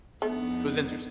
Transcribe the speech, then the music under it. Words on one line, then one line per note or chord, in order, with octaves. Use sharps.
It was interesting.
F2 A3 B3 D4 D#4